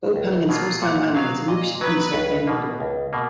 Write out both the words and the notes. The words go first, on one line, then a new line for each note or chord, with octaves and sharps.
Gold panning and small-scale mining is a lucrative undertaking in Magdiwang.
C#2
B2 F#3 A#3 F4
A#2 F#5
F#3 B3 F5
A#2 D#5
F#3 B3 B4
C#2
B2 A#3
C#2
B2 A#3